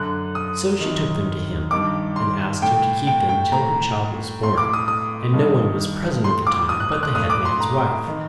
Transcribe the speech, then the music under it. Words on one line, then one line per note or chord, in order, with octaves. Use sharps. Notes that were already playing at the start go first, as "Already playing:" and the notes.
So she took them to him and asked him to keep them till her child was born; and no one was present at the time but the headman's wife.
Already playing: F#2 D3 F#6
D#6
F#2 D#3
G2 D#3 D6
C6
A2 G5
G5
G5
A2 A#5
A2 C6
D6
D#6
D#6
G2 D#3
A2 C6
D6
D#6
F#6
D#6
F#6
A2 D#6
D6
C6
A#5
D#3